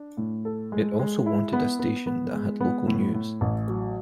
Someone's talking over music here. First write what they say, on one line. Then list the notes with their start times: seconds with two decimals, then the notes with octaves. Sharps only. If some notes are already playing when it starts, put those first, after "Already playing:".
It also wanted a station that had local news.
Already playing: D4
0.17 A2
0.45 A4
0.72 G#3
0.99 G#3
1.26 E4
1.53 B3
1.79 B3
2.07 B3
2.33 G#3
2.60 B3
2.87 A2
3.14 A2
3.41 A1
3.68 F#3